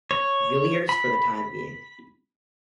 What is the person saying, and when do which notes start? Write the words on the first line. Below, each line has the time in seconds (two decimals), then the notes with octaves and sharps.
Villiers for the time being.
0.11 C#5
0.89 B5